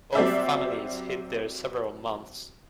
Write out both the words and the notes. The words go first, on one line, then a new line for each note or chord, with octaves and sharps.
Both families hid there several months.
F#3 G3 C4 G4 D5 E5